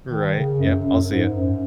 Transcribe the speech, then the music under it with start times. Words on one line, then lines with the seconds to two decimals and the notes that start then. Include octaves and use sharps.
Right, yep, I'll see ya.
0.10 D#3
0.35 C#3
0.59 F#2
0.85 F#2
1.10 G#2
1.34 F#2